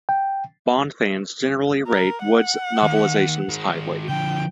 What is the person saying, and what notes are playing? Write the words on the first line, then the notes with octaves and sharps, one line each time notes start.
Bond fans generally rate Wood's novelisations highly.
G5
A#4
F#5
D#2
D#3 G#3
D3 F3 G5